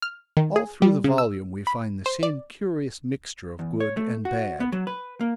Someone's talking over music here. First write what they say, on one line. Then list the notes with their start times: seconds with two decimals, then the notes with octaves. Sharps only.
All through the volume we find the same curious mixture of good and bad.
0.02 F6
0.37 D#3
0.56 G#4
0.82 G3
1.04 C#3
1.18 E6
1.67 B5
2.06 C5
2.23 D5
3.59 E2
3.80 C#5
3.97 A3
4.25 F#4
4.60 B3
4.72 F#3
4.87 B4
5.21 A#3